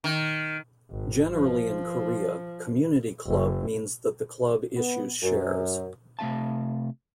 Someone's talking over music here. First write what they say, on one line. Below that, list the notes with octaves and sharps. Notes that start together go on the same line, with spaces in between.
Generally in Korea, 'community-club' means that the club issues shares.
D#3
G#1
F3
F#1
B3
F#2
C3 A3 F4 F5 A5